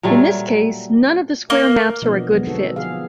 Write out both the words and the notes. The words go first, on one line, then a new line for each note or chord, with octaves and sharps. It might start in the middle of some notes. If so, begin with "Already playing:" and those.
In this case, none of the square maps are a good fit.
A#2 F#3 G3 A3
A#3
B2 F3 A#3 B3 D4 D#5
D3 F#3 G#3 B3
B3 C4 D#4 F#4 A4
F3 B3 G#4 F5